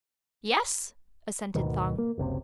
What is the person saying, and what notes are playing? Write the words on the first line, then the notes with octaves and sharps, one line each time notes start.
"Yes," assented Thong.
D2 G#2 B2 D#3
A#3
F#1 C#2 C3